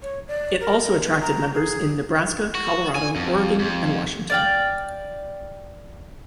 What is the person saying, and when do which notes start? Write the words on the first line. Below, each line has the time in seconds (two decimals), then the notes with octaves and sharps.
It also attracted members in Nebraska, Colorado, Oregon and Washington.
0.02 C#5
0.28 D5
0.60 A#4
0.84 A#4
1.04 B4
1.21 A#5
1.54 G#4
2.55 F#4
2.95 G#5
3.16 F2
3.59 F2
4.30 D5 F5 G5